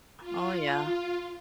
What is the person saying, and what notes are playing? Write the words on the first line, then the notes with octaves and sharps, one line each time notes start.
Oh, yeah.
F4